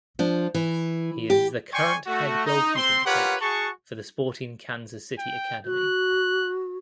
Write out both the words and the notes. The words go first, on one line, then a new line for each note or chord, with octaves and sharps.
He is the current head goalkeeping coach for the Sporting Kansas City academy.
F3 D4
E3
G4
D5 G5 G#5 C6 C#6
A3 F#4
D#4
C4 C6
F4 G4 A#4 B4 C#5 F#5
F#4 G#4 F#5 A5 C#6
G5
F#4 F#6